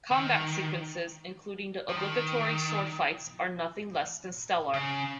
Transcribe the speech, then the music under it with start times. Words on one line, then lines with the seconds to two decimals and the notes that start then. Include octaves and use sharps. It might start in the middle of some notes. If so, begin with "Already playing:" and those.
Combat sequences, including the obligatory sword fights, are nothing less than stellar.
0.11 D#3
1.89 F3
1.96 D#3
4.74 C#3